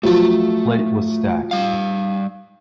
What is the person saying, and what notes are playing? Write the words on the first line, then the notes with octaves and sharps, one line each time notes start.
Plate was stacked.
F3 F#3 A3 F4 A5
G3 F5